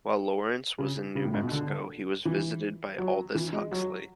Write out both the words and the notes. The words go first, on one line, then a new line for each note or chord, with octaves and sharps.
While Lawrence was in New Mexico, he was visited by Aldous Huxley.
C#3
C#3
A2
G#2
B2
D3
E3
F#3
E3
G#3
F#3